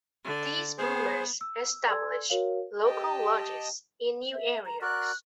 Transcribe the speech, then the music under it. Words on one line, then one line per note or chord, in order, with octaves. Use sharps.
These boomers established local lodges in new areas.
D3 D5
B3 G#4 C5
E6
A4 D5 G#5 C6 E6 G#6
F#4 A#4 C#5 F5
G4 D#5 G5 A5
E5
A#5
F#4 A#4 D5 F#6